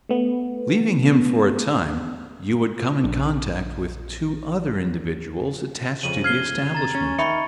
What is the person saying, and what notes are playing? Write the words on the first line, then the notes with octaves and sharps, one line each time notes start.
Leaving him for a time, you would come in contact with two other individuals attached to the establishment.
A3 B3
A#1 D4
F2 C#3 D#7 F#7
F6 G#6 C7 G7
A#5 A6
C#4
D#3 E5 B5 C#6 C#7